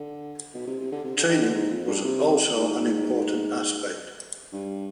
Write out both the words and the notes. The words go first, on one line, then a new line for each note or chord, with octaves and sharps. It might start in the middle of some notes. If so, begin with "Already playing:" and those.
Training was also an important aspect.
Already playing: D3
B2
C3
C3
D3
C3
D3
D#3
D3
G#2
F2
G2
C3
G#2
G2